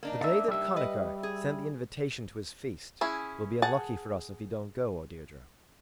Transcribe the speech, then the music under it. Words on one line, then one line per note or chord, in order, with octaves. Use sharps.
"The day that Connachar sent the invitation to his feast will be unlucky for us if we don't go, O Deirdre."
A#3 D4 D#4
D5 E5
G3 E5
B4 D#5
G#4
C#4 E4 G#4
G#4 F#5 A5